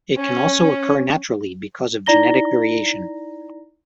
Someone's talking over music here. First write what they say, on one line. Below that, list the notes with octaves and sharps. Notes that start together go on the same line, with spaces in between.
It can also occur naturally because of genetic variation.
C#4
D#4 E4 D5 A#5 A#6 G7